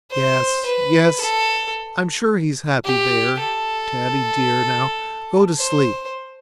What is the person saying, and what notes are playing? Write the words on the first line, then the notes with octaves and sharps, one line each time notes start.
"Yes, yes, I'm sure he's happy there, Taddie dear; now go to sleep."
C5
B4
A4
G4
A4
C5